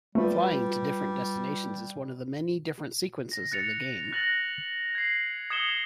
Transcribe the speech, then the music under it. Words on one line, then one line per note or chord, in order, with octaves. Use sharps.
Flying to different destinations is one of the many different sequences in the game.
G3 A3 F4 B4
A#6
F#6 A6 C#7 F7
F#6 A6 A#6 F#7
G#6 C7
D#6 G#6 C#7 E7 F#7 G7